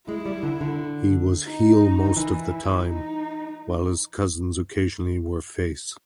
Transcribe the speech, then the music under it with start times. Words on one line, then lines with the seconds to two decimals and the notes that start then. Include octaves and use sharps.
He was heel most of the time, while his cousins occasionally were face.
0.08 G#3 E4
0.26 G3
0.43 D3
0.61 D3
1.47 D#4
2.06 D#3
2.16 E3 E4
2.86 D#4